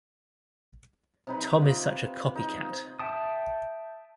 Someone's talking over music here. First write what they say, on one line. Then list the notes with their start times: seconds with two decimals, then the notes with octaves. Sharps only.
Tom is such a copycat.
1.27 C3 D#4 B4
1.61 F4 D6
2.35 D#4 D#5
2.99 E5 G5 A5 D#6